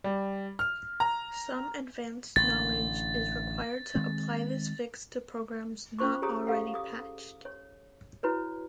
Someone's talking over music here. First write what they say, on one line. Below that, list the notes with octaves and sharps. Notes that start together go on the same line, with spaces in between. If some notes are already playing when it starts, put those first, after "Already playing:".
Some advanced knowledge is required to apply this fix to programs not already patched.
G3
F6
A#5
A1 D3 A6
D#3 G#3 C4
C#4 F4 C5 C#6 D6
G4 G#4 C#5 A#5 D#6
G4 A4 F5 F#5
D6 D#6
C#5
E4 F#4 B4 C#5